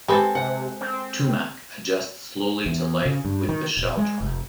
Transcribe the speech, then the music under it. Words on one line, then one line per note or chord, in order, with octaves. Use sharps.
Tumak adjusts slowly to life with the Shell Tribe.
G#3 C4 G4 A4 B4
C3 F#5
C4
E2
C#3
G2
D#3
D#1
G#3
F1